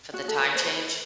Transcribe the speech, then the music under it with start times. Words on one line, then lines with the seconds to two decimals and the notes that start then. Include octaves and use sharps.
for the time change
0.14 F#4
0.28 A4
0.42 B4
0.56 C5
0.66 C5
0.70 B4